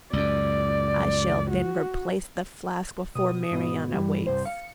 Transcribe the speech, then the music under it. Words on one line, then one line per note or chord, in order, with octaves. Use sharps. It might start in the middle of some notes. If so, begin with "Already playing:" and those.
I shall then replace the flask before Marianna wakes.
C#2 F#2 D5
F#4
B2 D#6
G#2 B2
G2 E3 G3
C2 G2 C5
F5 C#7